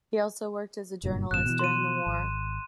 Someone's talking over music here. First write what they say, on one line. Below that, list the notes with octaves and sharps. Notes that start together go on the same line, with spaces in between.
He also worked as a journalist during the war.
F#1 G2 A#2
G#1 F#2 B2 F#6 E7
B2 E3
C6 D#7
G#1